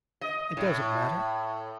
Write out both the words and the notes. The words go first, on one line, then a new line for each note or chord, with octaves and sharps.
'It doesn't matter.
D#5
A2